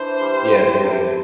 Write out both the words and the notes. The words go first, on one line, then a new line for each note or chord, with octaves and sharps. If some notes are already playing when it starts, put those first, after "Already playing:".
Yeah, yeah, yeah.
Already playing: E3 D4 C5
G3
C3
C3